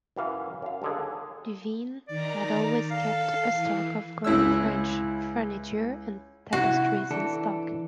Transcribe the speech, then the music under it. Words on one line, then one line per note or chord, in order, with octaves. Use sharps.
Duveen had always kept a stock of grand French furniture and tapestries in stock.
F#2 E3 F5
F#2 F5
D#2 D3 G#4
D#3 D5 A#5
A4 F5
E3
C#2 E4 C#5 E6
C3 E4 F#4
E3 D4 A4